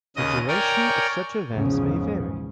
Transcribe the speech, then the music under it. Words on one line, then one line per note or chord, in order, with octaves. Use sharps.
The duration of such events may vary.
D#2 C#3 D#5 D#6
A#4 C#5 D5 G5 G#5 A#5
A#1 E2 G#2 C#3 F3 C#4